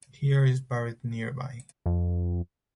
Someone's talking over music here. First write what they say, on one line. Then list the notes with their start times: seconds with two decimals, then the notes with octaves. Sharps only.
Heer is buried nearby.
1.86 F2